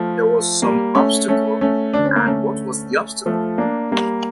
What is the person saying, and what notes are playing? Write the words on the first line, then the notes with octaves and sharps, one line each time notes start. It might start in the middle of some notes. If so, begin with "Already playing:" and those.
There was some obstacle; and what was the obstacle?
Already playing: F3 A3
G3 A#3
A3 C#4
A3 C#4
A3 C#4
D2 D3 D4
C#4
A#3
A3 C#4
F3 A3
A#3 D4
G3 A#3